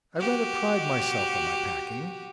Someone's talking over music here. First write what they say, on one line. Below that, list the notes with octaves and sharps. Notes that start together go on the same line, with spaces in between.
I rather pride myself on my packing.
F#4 G4